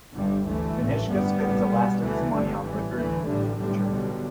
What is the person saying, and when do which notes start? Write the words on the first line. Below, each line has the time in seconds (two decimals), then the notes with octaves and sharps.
Venichka spends the last of his money on liquor and food for the journey.
0.14 G1 G2 D3 G3
0.45 D2 E3 A3
0.77 A1 G2
1.08 G1 G2 G3 B3
1.40 A1 A2
1.71 B1 B2
2.02 D2 E3 A3
2.33 G1 G2 D3 G3
2.65 A1 A2 E3
2.95 D2 E3 A3
3.27 A1 A2 D3 G3
3.58 B1 A2 D3 G3
3.90 B1 B2